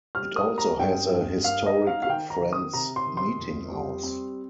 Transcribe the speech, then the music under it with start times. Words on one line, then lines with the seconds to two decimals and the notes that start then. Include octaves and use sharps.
It also has a historic Friends Meetinghouse.
0.15 G3 F6
0.36 D#6
0.47 A#3
0.58 A#5
0.79 G2 G5
1.12 G2
1.44 A#3 F5
1.66 D#5
1.77 D#4
1.87 F5
2.02 F5
2.09 D#3 G5
2.30 A#5
2.41 D#3
2.53 D#6
2.73 C3 A#5
2.96 C6
3.06 D#3
3.17 C6
3.38 F2
3.72 G3
4.03 C4